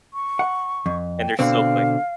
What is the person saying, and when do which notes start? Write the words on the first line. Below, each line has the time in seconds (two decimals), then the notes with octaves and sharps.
and they're so quick,
0.14 C#6
0.39 F#5
0.86 F2
1.18 G5
1.39 B2 D3 C4 F5